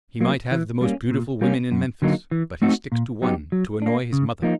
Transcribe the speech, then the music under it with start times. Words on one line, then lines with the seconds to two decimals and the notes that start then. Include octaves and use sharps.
He might have the most beautiful women in Memphis, but he sticks to one to annoy his mother.
0.21 F#3 A#3
0.51 E3
0.81 G3 A#3 C#4
1.11 A#2
1.41 G3 A#3 C#4
1.72 F#2
2.02 D3 F#3 A#3 D#4
2.31 E3
2.62 A3 C4 D#4 F#4
2.92 A#2
3.22 F#3 B3 D#4 G4
3.52 F#3
3.82 A#3 D4
4.13 C#3
4.42 F3 A#3 D#4